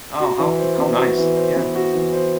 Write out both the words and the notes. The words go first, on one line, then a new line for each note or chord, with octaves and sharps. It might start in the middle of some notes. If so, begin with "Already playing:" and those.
Oh, how how nice. Yeah.
F#4
E3
C5
B3
F#4
E3
C5
B3
F#4
E3
C5